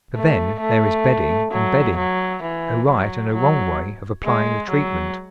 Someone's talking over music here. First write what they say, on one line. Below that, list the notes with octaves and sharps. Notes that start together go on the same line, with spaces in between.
But then there is bedding and bedding--a right and a wrong way of applying the treatment.
A3
A3
F#3
F#3
E3
F#3
F#3
G#3
F#3